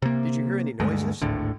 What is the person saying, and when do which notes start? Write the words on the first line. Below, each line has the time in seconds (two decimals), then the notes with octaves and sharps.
"Did you hear any noises?"
0.02 C3 A#3
0.80 D2 G2 G#3 A3
1.22 G#1 D2 A2 D3